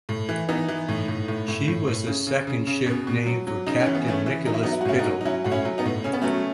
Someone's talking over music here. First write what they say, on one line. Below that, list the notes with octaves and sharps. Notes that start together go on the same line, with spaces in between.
She was the second ship named for Captain Nicholas Biddle.
A2
E3
E3 B3 D#4
E3
A2
A2
A2
A2
A2
A2
C#3
C#3
C#3
C#3
B2
B2
F#3
F#3
C#3 D#4
C#4
E3
B3
C#3 A3 C#4
E3
F#3 D#4
E4
F#3 B3 D#4
E4
F#4
A2 C#4 E4
D#4 F#4
F#3
D#4
F#3 C#4 E4
A2 F#4
C#4 E4
F#3
B3 D#4
A2
C#3 C#4
B3
F#3 A3 C#4